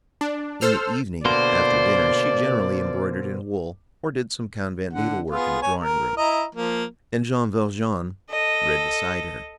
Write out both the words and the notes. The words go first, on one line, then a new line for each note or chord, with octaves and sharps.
In the evening, after dinner, she generally embroidered in wool or did some convent needlework in the drawing-room, and Jean Valjean read beside her.
D4
A4 C5 E6 F6
B2 D3 A#3 C5 D5
D3 F#5
B3 F4 G#4
C#5 G#5
A#4
E4 D#5 A#5
F3 A#3
A4 D#5